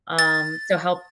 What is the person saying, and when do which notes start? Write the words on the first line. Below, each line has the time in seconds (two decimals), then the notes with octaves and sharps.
Um, so help
0.19 A6